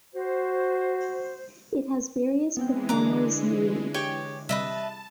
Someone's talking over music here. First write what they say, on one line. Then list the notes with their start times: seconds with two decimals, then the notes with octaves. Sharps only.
It has various performers yearly.
0.15 F#4 C5
2.57 E3 G#3 B3 C4 G5
2.89 D3 D4 A#5 D6 F#6
3.94 G4 C#5 G5
4.49 C3 G3 B4 D#5 E5 A5